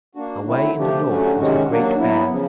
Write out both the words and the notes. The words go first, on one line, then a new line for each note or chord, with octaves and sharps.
Away in the north was the Great Bear.
A#3 D4 F#4
D3 F#3 A3 C4 E4
C3 F3 A3 D4 G4
D3 F#3 A3 C#4 F#4
C3 D#3 G#3 C#4 F#4
F#3 A#3 D4 F#4
F#3 B3 E4
C#3 F3